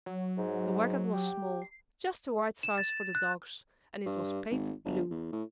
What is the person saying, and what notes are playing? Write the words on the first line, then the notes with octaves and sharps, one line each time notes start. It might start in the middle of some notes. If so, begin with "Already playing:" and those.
The wagon was small, just the right size for the dogs; and it was painted blue.
F#3
G#2
G4
C7
E7
A6
F#6
G2
G#1
G1
E2
A2